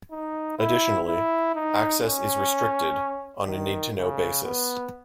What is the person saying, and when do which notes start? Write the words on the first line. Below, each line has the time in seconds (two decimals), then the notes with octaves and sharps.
Additionally, access is restricted on a "need to know" basis.
0.11 D#4
0.59 E4
1.08 E4
1.55 D#4
2.04 C#4
3.48 D#3
3.96 C#3
4.44 B3